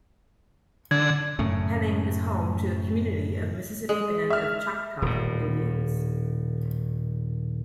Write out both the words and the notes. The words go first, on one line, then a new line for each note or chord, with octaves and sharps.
Henning is home to a community of Mississippi Band of Choctaw Indians.
D3 G#6
F#2 A2 C#3
G#3
E5 F6
D#1 A2